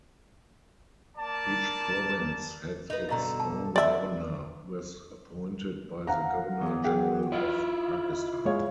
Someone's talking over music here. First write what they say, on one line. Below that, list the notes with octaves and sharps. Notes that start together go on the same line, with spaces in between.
Each province had its own governor, who was appointed by the Governor-General of Pakistan.
A#3 D5 A5
D#4 B4
G2 B2 D3 D#5 A#5
A5
D5 E5
F5 F#5 A#5
E2
G#4 F#5 G5
E4 F4 D#5
G#3 C#5 F5